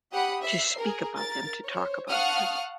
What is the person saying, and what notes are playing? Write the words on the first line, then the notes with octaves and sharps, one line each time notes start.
to speak about them, to talk about them,
G4 F#5 B5 D#6
E5 C7
G#4 A#4
A#4 A6
C5 C#5
F5 F#5 A5 C#6 D#6 F6